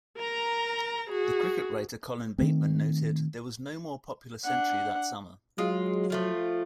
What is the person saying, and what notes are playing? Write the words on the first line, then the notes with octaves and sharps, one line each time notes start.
The cricket writer Colin Bateman noted, "there was no more popular century that summer".
A#4 A#5
F#4 G#4
D#3 E3 A3 C4
D4 F#5
F#3 G#3 F4
F3 A3 F4